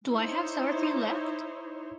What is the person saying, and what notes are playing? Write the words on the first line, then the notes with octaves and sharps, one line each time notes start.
Do I have sour cream left?
D#4 E4 C5 C#5